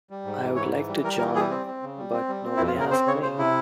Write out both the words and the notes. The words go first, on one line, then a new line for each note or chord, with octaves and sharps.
I'd like to join but nobody asked me.
G3
G#2
E3
G#2 C#5
E3
G3
G3 A#4
E3 A#4
G3 G#4
C4
C4
C#3
G3
C4
G3
C4
E4
F2
F4
C#3 A#4
C4 C5
C#3 C#5
C#3 C5
C3 E4